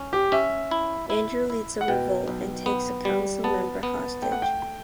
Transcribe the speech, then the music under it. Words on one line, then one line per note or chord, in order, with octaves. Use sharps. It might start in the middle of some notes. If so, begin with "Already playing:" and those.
Andrew leads a revolt and takes a Council member hostage.
Already playing: C#4
G4
C#4 E5
E4
E4
E4
F#5
B2 G5
B1
B3
G3
B3 A5
B3
A3 G5
F#5
G5